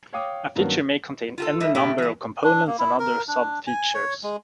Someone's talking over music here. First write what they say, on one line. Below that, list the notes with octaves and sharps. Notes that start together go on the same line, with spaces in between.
A feature may contain any number of components and other sub-features.
C#5 F5 G5 D6 D#6
G2 D#3 F#3 A#3 B3 C#4
F4 F#4 A4
G3 E4 D#5 E5
G#2 B2 A3 B3 G4
E3 G#3
D4
A#3
E4
A#4
D4
G#5
C#5
G#3